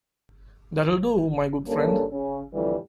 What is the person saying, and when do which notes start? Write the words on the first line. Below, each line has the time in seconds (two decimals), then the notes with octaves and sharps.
That'll do, my good friend!
1.68 G2 C#3 A#3 C#4 A4
2.12 C#3 C#4
2.54 F2 A2 D3 E3 G3